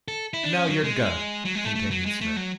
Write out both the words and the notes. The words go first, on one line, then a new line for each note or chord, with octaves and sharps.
"Now your gun!" continued Smith.
A4
E4
D4
C#4
F#3
G#3
F#3
G#3
A3
A3
F#3
G#3
A3
F#3